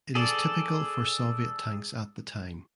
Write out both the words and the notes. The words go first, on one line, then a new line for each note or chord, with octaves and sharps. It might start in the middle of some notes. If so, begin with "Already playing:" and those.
It is typical for Soviet tanks at the time.
G#4 A4 D5